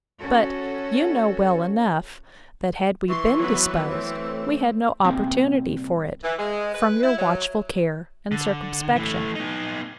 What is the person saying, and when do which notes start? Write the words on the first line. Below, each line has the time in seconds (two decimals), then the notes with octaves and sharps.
But you know well enough, that had we been disposed, we had no opportunity for it, from your watchful care and circumspection.
0.19 C#4 F#4 A4
3.09 E3 C6 C#6
3.38 F#3 B3 B4
3.91 A3 C4 C#5
5.04 C2 A#2 C4 G5 G#5
6.24 E3
6.39 G#3
6.75 B4
7.03 E4
7.18 F#3
8.32 D3
8.96 E3 A3
9.36 B3 D#4